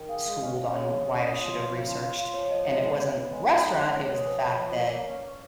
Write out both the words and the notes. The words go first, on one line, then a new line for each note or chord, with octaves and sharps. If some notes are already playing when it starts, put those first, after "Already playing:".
schooled on why I should have researched, and it wasn't the restaurant, it was the fact that
Already playing: D#3
G#4 F5
G#3 F5
C#4 D#5
C#4
G#3 C#5
G#4
C#4
D#5
F4
F3
C#3
F4
F4 F5
F4 F5
F3 C#5
F3 D#5
C#5
G#3 D#5
B3
B3
B3
G#3
D#4
C#3
G#3
A#3 C#5
G#4
F3 B4
F3
F3
A#3
A#3
C#4
C#4